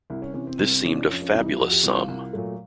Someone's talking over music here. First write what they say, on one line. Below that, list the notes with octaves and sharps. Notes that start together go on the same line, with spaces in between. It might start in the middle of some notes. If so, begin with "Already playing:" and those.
This seemed a fabulous sum.
C2 E4
C#4
C3 E3 C#4
C4
C2 C4
C4
C3 E3 C#4
D4
F2 C#4
C#4
C3 E3 G3 D#4
E4
F2 F#4
G4
C3 E3 G3 F#4
F4
C2 F4
A#2 F#3 A3